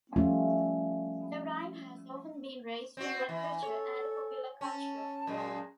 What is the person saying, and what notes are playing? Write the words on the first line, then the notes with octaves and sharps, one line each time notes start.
The rhyme has often been raised in literature and popular culture.
F3 G3 A3 C#4 F4 G4
C4 F#4
E3 E5
A4 C#5
C#4 A5
F#2 A#2 G#3